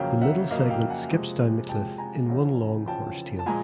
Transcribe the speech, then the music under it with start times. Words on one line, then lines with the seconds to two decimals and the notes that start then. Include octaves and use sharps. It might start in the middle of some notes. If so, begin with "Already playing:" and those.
The middle segment skips down the cliff in one long horsetail.
Already playing: F2 C#3 F#3 A#3 F5 G5
0.21 E5 F#5
0.51 F2 C#3 F#3 A#3 D#5 F5
0.70 F5 G5
0.90 F#5 G#5
1.09 C3 F3 G#3
1.69 C3 F3 G#3 G5 A5
1.98 G#5 A#5
2.28 E2 C#3 F3
2.87 E2 C#3 F3 G5 A5
3.39 A5
3.46 A#2 F3 G#3 G#5 A#5